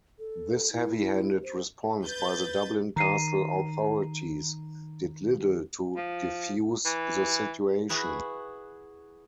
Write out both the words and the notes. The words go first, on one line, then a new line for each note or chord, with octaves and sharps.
This heavy-handed response by the Dublin Castle authorities did little to defuse the situation.
A4
E4
C5
B4 G6 A6
D#3 A#5 C7 D#7
F3
E3
E4 F#4 G#4 B4